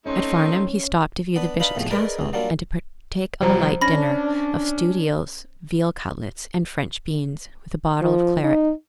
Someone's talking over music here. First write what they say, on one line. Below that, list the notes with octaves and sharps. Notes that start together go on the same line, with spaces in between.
At Farnham he stopped to view the Bishop's Castle and to partake of a light dinner of stewed eels, veal cutlets, and French beans, with a bottle of claret.
A3 C4 C#4 D#4
B3 D4 B4
D4 D#4 B4 F5 B5
E2 A2 C3 F3 A3
D#4 G#4 A#4 B4 D5 D#5
C#2 C3
F#3 G3 A#3 D4 F4
C2 F3 G3 C5 A#5
C#4 D4 B5 A#6
F3
D#4